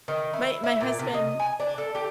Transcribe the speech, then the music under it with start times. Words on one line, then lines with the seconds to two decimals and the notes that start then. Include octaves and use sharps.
my my husband
0.08 D#3
0.33 E4
0.64 E4
0.81 A#2
0.99 C3
1.14 D#5
1.39 G#5
1.60 D4
1.78 A4
1.95 G4